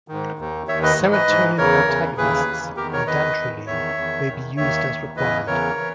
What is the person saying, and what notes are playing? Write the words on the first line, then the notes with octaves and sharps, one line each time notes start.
Serotonin antagonists and dantrolene may be used as required.
G#2 D#3
D#2 D#3
D#2 D#3 C#5 E5
B4 D#5
G#2 E3
B4 D#5
G#2 E3
E2 C#3 E3 A#4 C#5
E2 C#3 E3
D#2 C#3 E3 G#4 B4
D#2 C#3 E3
E2 D#3 G4 A#4
A#4 C#5
E2 D#3 B4 D#5
E2
D#3
E2 D#3 C#5 E5
E2 D#3
E2 D#3
D#2 D#3 C#5 E5
D#2 D#3
E2 C#3 E3 B4 D#5
E2 C#3 E3 A#4 C#5
E3